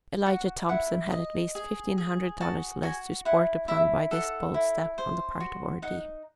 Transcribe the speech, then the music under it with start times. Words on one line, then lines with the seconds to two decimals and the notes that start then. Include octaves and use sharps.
Elijah Thompson had at least fifteen hundred dollars less to sport upon by this bold step on the part of Ordee.
0.26 F#4 F#5
0.69 E4 F#5
1.12 D#5
1.55 G#4
1.98 G#4
2.41 F#4 A5
2.83 F#4 G#5
3.25 E4 F#5
3.68 E4 E5
4.11 A4 F#5
4.54 E4
4.98 C5
5.40 F#4
5.82 D#4 F#5